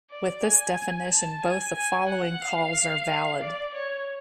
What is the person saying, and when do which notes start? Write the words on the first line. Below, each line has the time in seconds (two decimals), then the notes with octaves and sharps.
With this definition, both the following calls are valid.
0.10 D5
0.43 G#5
1.09 A5
1.42 G#5
1.75 G#5
2.09 F#5
2.41 F5
3.41 D5
3.74 C#5